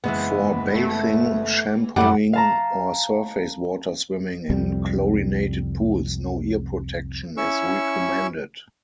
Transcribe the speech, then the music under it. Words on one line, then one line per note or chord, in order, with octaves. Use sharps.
For bathing, shampooing, or surface-water swimming in chlorinated pools, no ear protection is recommended.
F#1 E3 G#3 B3 E5
A3
F#2 G3 A3 F#5
F5 A5 A#5
C2 F2 G3
C#4 E4 C#6 E6